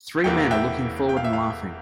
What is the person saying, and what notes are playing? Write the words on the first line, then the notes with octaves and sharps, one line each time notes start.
Three men are looking forward and laughing.
E1 E2 C3 E3 A#3 G5
F5
E5 G5
G5
F5
E5
F5